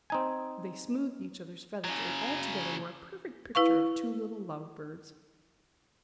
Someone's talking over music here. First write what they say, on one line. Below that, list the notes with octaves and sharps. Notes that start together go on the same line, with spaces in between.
They smoothed each other's feathers and altogether were a perfect picture of two little lovebirds.
C4 D#4 G#5
C#3 F#3
E4 B4 F5 C#6